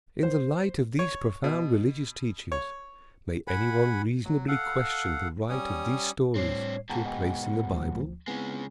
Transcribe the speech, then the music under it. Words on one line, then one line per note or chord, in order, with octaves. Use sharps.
In the light of these profound religious teachings may any one reasonably question the right of these stories to a place in the Bible?
C5
C#5
B2
C#5
F#5 G#5 B5
F#3
A4 F5 F#5
G3 C#4 D#6
A2 G3 C4 D4 C#5 C7
G#2 B2 F#5 G5 A5 A#5
D#5 G5 G#5
D2 F3
C#3 G#3 B3 C4 E4